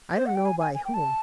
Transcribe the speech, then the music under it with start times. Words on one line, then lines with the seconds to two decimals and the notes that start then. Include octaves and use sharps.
I don't know by whom.
0.17 C5
0.26 F#5
0.36 G5
0.45 G#5
0.60 G#5
0.75 G#5
0.85 G5
0.94 A5